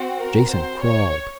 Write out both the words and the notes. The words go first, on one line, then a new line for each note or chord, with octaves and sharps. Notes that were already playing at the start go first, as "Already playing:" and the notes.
Jason crawled.
Already playing: C4 F#4
A#4
C5
C#5